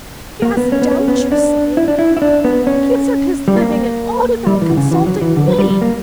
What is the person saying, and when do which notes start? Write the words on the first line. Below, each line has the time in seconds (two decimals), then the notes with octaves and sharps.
'He has doubts, you say, and gives up his living, and all without consulting me.
0.42 A#3
0.57 B3
0.72 C#4
0.82 B3
0.92 C#4
1.08 B3
1.20 C#4
1.32 D4
1.77 E4
1.88 D4
1.99 E4
2.17 E4
2.22 D4
2.44 B3
2.67 C#4
3.48 G3
3.57 A#3
4.47 G3
4.62 E3
4.71 D3
4.77 C#3
4.91 E3
5.06 F#3
5.21 E3
5.36 D3
5.48 F#3
5.59 G3
5.71 G3
5.82 A#3